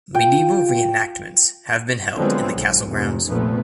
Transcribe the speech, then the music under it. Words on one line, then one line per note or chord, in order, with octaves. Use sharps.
Medieval reenactments have been held in the castle grounds.
F4 G5
D3 F3 F#3 G#3 B3 C4
B1 G#2
F1
F1 A#1 A#2 F3 A3 B3